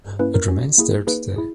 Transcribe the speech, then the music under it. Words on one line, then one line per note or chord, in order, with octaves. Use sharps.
It remains there today.
A#3 C#4 E4 B4
A#4
C#4 F#4
A#3 E4 G#4
A#3 D#4 G#4 B4
E4 G#4